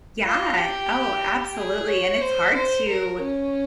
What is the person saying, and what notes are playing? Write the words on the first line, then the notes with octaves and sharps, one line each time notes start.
Yeah, oh, absolutely, and it's hard to
F4
G4
G#4
C#5
C5
C5
A#4
C#4